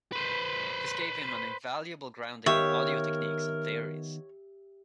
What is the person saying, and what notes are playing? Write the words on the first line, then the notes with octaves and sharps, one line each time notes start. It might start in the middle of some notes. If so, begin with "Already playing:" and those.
This gave him an invaluable grounding in audio techniques and theories.
B4 C5
D#3 B3 G4 A#4 C#5 E5 F5